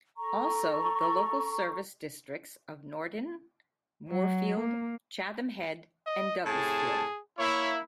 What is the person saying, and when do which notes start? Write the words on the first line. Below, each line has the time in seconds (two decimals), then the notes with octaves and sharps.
Also the local service districts of Nordin, Moorefield, Chatham Head, and Douglasfield.
0.17 A4 A#5 C#6
4.09 F#3
4.60 A#3
6.06 D#5
6.45 A2 C3 G#4 A5
7.39 A#3 E4 C#5